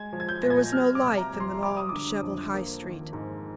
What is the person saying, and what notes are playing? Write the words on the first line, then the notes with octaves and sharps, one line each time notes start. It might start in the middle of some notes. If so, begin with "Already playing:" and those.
There was no life in the long, disheveled High Street.
Already playing: G#3 G#6
F3
G#6
G6
A#2 A#6
G#6
G3 F6
D6
C3
A#5
F2
C6
G3 D6
D#6
D3 D6
F2
A#3
D#3
G#2